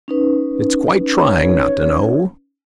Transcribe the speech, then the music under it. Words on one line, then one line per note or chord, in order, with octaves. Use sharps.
It's quite trying not to know.
C#4 D#4 B4
C#5